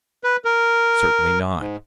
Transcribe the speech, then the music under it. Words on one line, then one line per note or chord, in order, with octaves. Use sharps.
Certainly not.
B4
A#4
G#2